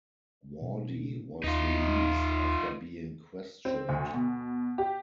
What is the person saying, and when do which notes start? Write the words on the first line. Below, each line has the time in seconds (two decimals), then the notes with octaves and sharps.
Wardy was released after being questioned.
0.62 B2
1.44 D#2 D#4 F4
3.65 C4
3.89 D2
4.14 B2
4.78 G4